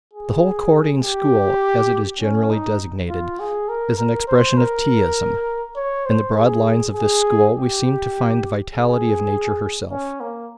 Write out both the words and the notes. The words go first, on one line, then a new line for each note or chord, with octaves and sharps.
The whole Korin school, as it is generally designated, is an expression of Teaism. In the broad lines of this school we seem to find the vitality of nature herself.
G#4
G4
C#4
D#4
F4
G#4
A#4
A#4
C5
A#4
C#5
C5
G#4
G#4
G4
G#4
C#4
A#3